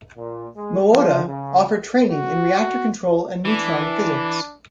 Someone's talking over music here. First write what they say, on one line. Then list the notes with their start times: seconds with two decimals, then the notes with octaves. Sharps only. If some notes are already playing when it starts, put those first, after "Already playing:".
Moata offered training in reactor control and neutron physics.
0.17 A#2
0.57 G#3
0.90 F3
1.28 C#3
2.11 F#4
3.45 E3 D4